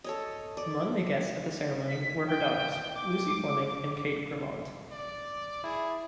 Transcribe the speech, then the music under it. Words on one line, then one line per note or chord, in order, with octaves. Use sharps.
Among the guests at the ceremony were her daughters, Lucy Fleming and Kate Grimond.
A4 C#5 D#5
D5
B6
G5
D6
D5
E4 G#4